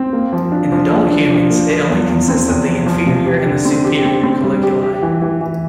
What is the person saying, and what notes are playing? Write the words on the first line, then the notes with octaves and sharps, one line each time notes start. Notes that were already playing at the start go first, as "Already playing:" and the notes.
In adult humans, it only consists of the inferior and the superior colliculi.
Already playing: C4
A#3
F3
D4
F3
A#3
D4
F3
A#3
F3
E2
E2
C4
E2
F3
F3
C3
G4
D3
C4
G4
C4
C4
G3
G4
G4
E3
E3
E3